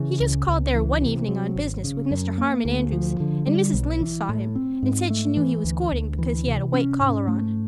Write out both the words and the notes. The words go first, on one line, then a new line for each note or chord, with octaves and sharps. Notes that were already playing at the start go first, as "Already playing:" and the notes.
He just called there one evening on business with Mr. Harmon Andrews and Mrs. Lynde saw him and said she knew he was courting because he had a white collar on.
Already playing: C#3 E3
C#2
C#2
E3
C3
F#3
G#1
C#3
F#2
A#3
D2
F3
D3
G3
B1
E3
A2
C4
G#2
A3
E3
D2
D2
E3
C3
C#4
G#2
A3